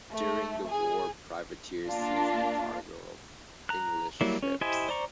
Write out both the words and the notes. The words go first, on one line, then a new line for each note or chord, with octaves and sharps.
During the war, privateers seized the cargo of English ships.
A3
G#4
A#3 D4 F4
A#5 F#6
F#3 G3 A#3 E4
C#4
E4 G4 C5 D#5 G#5
C5 D5 A#5 C#6